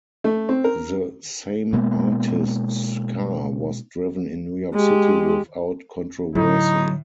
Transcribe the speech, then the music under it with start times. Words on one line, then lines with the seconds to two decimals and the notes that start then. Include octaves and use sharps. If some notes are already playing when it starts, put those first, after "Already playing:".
The same artist's car was driven in New York City without controversy.
0.24 A3
0.49 C4
0.64 A#4
1.73 B2 G#3 A#3 B3
4.74 G#3 G4
6.35 A2 D3 F#3 D#4